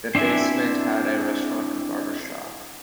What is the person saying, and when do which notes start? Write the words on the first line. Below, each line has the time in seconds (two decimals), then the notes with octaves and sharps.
The basement had a restaurant and barbershop.
0.15 C4 D4 E4 E5 G#5